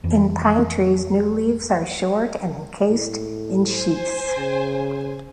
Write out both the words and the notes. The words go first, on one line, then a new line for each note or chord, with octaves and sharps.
In pine trees new leaves are short and encased in sheaths.
F2 E3
A2
C5 G#5
C#3